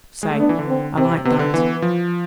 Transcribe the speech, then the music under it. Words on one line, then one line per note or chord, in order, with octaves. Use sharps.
Say, I like that!
G#3
A3
B3 D4
E3
D3
C4
C3 C4
C3 B3
D3
E3 B3
F3